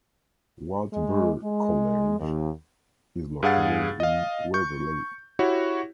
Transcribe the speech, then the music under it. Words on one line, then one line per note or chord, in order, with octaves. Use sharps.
Wartburg College is located in Waverly.
G#3
G#3
D#2
G2 G#4 F5 F#5 A6
D#5 F5
C#6 G6
E4 F#4 G4 C#5